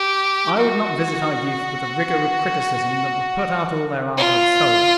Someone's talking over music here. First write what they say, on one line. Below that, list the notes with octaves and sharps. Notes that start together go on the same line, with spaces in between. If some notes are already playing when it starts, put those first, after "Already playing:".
I would not visit our youth with a rigor of criticism that would put out all their ardor of soul.
Already playing: G4
F#4
F4